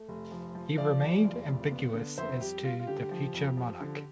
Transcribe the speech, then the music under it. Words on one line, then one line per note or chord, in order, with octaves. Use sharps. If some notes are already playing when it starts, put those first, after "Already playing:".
He remained ambiguous as to the future monarch.
Already playing: A3
F1
F3
F3
F3 D5 F5
E2
F1
F2
B3
D3
F2 C5 E5
G3 G4
G3 F4
F4
D3 G4
F3
F2
F3
D3